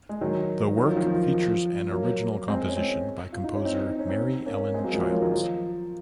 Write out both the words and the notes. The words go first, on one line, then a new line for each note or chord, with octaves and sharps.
The work features an original composition by composer Mary Ellen Childs.
G#3
D#3 F#3
D#3 F#3
F3
D#3
F3
F3
F#3 A#3
G#3 C4
C#4
G#3 C4
F4
D#4
C#4
C4 D#4
D#4
C#4
C4 D#4
A#3 C#4
G#3 C4
F#3 A#3
F3 G#3
F#3 A#3
F3 G#3
D#3 F#3
F3